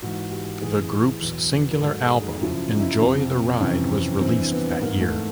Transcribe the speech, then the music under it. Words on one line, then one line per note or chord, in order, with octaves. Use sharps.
The group's singular album, "Enjoy the Ride", was released that year.
G#2 E3 F#4
G4
A2 E3 G#4
E2 B2 F#3
A#4
G#2 D#3 F#3 A4
G#4
D#4
F#2 C#3 F3 E4
D#4
E4
D#4
F2 C3 F3
F2 C3 E3 C#4
C4
G2 E3 C4
B3
G#2 E3 A#3
A3